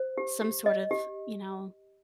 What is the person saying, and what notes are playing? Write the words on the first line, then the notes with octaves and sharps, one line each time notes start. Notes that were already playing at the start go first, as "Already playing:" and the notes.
some sort of, you know
Already playing: C5
G4
G4
D#5
G4